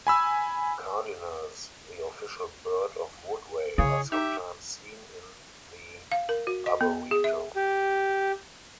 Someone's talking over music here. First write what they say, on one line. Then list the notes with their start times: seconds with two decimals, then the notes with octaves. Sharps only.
Cardinals, the official bird of Woodway, are sometimes seen in the arboretum.
0.07 G#5 B5 E6
3.78 C#3 E4 G#4 C#5
4.12 D#4 G4 E5
6.12 F5
6.29 A#4
6.47 F#4
6.66 D#5
6.81 B3
7.11 G#4
7.24 E5
7.56 G4